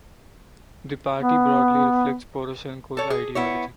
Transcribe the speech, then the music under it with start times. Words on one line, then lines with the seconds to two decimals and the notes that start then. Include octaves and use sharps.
The party broadly reflects Poroshenko's ideology.
1.20 B3
2.97 A4 C#5
3.10 G#4
3.35 B3 E4 C#5